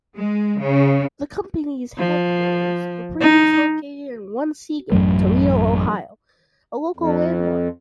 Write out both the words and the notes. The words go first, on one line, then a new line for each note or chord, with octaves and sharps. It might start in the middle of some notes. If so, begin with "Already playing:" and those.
The company's headquarters were previously located in One SeaGate, Toledo, Ohio, a local landmark.
G#3
C#3
F3
D#4
A1 F#2 F#3 A3
F2